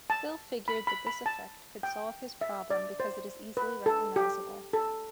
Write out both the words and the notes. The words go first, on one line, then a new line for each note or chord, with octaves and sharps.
Bill figured that this effect could solve his problem because it is easily recognizable.
A5
B5
B5
B5
A5
G5
E5
D5
C5
B4
A4
G4
A4